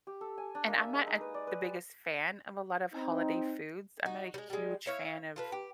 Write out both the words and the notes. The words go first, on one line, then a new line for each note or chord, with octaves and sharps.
and I'm not, e the biggest fan of a lot of holiday foods. I'm not a huge fan of
G4
A4
G#5
D4
A#3
E5
G#3
D#4
B4
D5
B4
G4
C4 D#4
D#4 F#4
G3 G#3
G3 G#3
E4 C#5 F5
F4 A4 B4
G4